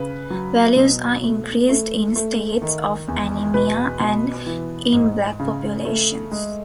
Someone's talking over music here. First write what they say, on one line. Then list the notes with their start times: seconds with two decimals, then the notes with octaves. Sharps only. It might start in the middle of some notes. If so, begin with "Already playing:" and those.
Values are increased in states of anemia, and in black populations.
Already playing: C#3 B4
0.30 F#3
0.76 B2
1.24 A3
1.69 A3
2.16 A3
2.62 D#3
3.08 E2
3.54 B2 B4
4.00 B2
4.46 E3
4.93 G#2
5.40 C#3
5.85 A3
6.31 G#3